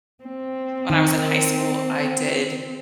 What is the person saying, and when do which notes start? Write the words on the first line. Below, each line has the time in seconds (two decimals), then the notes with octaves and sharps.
when I was in high school, I did
0.24 C4
0.90 D#3 D#4